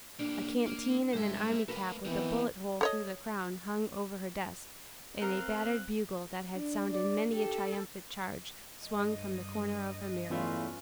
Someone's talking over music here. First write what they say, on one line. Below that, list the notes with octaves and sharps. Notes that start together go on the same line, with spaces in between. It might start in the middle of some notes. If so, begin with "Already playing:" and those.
A canteen and an army cap with a bullet-hole through the crown, hung over her desk, and a battered bugle, that had sounded many a triumphant charge, swung from the corner of her mirror.
G3 A#3 D4
A#3
G2 G#3 C5 E5
A3 A#4 B4 F5
E3 B3 C4 D#4
A4 C#5 D#5
C4 A#4 F5 F#6
D4
D5
G4 A4
G2 D#5
E2 E3 A3 C#4 F4 B4